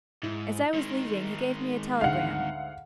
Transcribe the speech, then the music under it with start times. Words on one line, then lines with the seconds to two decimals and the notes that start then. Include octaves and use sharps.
As I was leaving he gave me a telegram.
0.23 G#2 E4
0.75 D#3 G#3
2.01 D2 G#2 F5 F#5